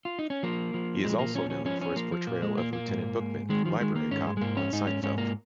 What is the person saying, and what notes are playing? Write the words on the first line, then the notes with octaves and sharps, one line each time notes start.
He is also known for his portrayal of Lieutenant Bookman, Library Cop on "Seinfeld".
F4
D#4
C#4
F3 A#3
F3
A#2 G#3
A#3
F3 C#4
C#4
F3 C#4
C#4
F3 A#3
F3
A#2 A#3
G#3
A#2 A#3
A#3
G#2
G#2
D#3 G#3
F3
D#3 G#3
A#3
G#2 C#4
G#3
G#3
G#2 A#3
C#4
G#2 D#4
C#4
G#2 C#4
A#3